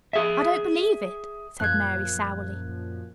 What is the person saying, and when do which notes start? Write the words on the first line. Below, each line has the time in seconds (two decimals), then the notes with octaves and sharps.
"I don't believe it!" said Mary sourly.
0.13 G#4 E5
1.60 F#2 A#2 F3 F#6 G#6